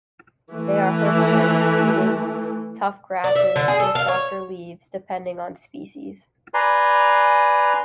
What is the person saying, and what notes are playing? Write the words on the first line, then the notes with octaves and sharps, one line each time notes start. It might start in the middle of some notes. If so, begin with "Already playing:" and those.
They are herbivores, eating tough grasses or softer leaves, depending on species.
E3 A3
D5
E5
D3
G#4
A4
F5
C#5
B4 D5 G#5 A#5 C6